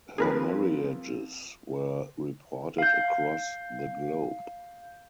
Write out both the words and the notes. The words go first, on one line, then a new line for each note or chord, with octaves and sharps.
Her marriages were reported across the globe.
F3 A#3 C4 G#4 A#4 B4
F5 G6